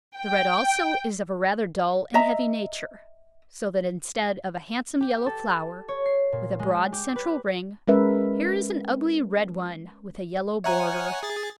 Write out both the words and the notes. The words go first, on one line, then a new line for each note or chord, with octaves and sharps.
The red also is of a rather dull and heavy nature, so that instead of a handsome yellow flower with a broad central ring, here is an ugly red one with a yellow border.
G5
D#5 E5 A#5
G4
A4
C#5
C7
A#2
G#3
G4
B4
G#3 C#4 A#4 B4 E5
C#5 E5 F#5 G#5 A#5
G#4 A6